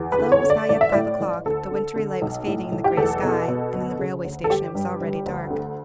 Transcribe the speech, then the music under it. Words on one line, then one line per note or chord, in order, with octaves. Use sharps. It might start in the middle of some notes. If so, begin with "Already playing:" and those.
Although it was not yet five o'clock, the wintry light was fading in the grey sky, and in the railway station it was already dark.
Already playing: E2
B4
D3
C#5
D3
D5
A1 D5
E5
A2 D5
A1
D2 A4
D3
D3
B1
A2
B1
G4
E2 A4
B2
B2
D2
C#3
D2
A4
G1 G4
G2
G1
D2
D3